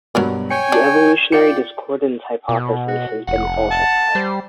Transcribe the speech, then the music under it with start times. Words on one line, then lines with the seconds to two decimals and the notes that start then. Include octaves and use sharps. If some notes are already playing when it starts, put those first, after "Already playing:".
The evolutionary discordance hypothesis has been falsified.
0.15 G2 B2 F#3 A#4 B4
0.50 C#5 G5 G#5 C#7
0.72 D4
1.32 F4 D5 G5 C#7
2.49 B2
2.88 F#4
3.28 F1 F#5
3.71 A5
4.15 G3 C5